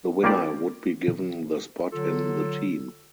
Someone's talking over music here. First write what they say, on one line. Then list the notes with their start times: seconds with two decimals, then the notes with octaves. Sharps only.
The winner would be given the spot in the team.
0.23 G3 A#3 C#4 F4 G4 D5
1.92 D3 F#3 F4 A4